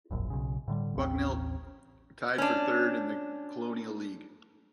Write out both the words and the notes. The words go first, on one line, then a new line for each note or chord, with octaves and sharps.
Bucknell tied for third in the Colonial League.
E1 A#1 F#2
B1 C#3
A2 D3 G3
A1 D#2 A3 C4
C#4 D4